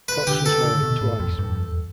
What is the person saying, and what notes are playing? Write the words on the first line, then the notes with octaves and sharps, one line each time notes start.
Cox was married twice.
B4
D3 G4
A4
D3
B2
A2
F2
G2
F2
E2